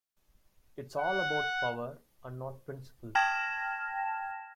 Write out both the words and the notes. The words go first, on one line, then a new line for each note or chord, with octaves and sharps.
It's all about power and not principle.
F#5
G5 A5 F6 G#6 A#6 E7